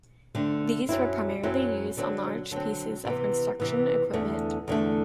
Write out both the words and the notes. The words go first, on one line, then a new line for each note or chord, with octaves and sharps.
These were primarily used on large pieces of construction equipment.
D3 A3 C4
F#2 F#3 C4 E4
F#2 F#3 C4 E4
D3 F#3 C4
D3 F#3 C4
C3 E3 B3
C3 E3 B3
E2 D3 A3
E2 D3 A3